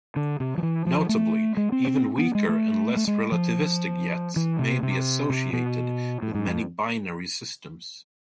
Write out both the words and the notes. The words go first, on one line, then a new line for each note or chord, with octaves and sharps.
Notably, even weaker and less relativistic jets may be associated with many binary systems.
D3
C3
F3
E3
F3
A3
G#3
C4
C4
B3
G#3
A3
A3
G#3
F3
E3
C3
C3
C3
B2
A2
G#2
F2